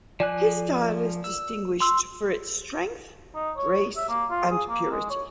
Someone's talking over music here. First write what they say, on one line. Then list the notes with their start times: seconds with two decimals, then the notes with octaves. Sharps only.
His style is distinguished for its strength, grace and purity.
0.20 F3 D5 G#5 F#6
1.24 E6
1.80 C6 E6
3.35 D#4
3.57 C#5
3.97 E5
4.09 A#3
4.31 F4
4.51 G#4
4.69 A#3
4.91 G#3
5.10 C#5